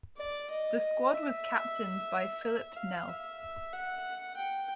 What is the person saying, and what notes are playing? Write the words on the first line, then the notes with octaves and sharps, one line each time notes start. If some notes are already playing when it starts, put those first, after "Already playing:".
The squad was captained by Philip Nel.
D5
D#5
E5
E5
F5
E5
F#5
G5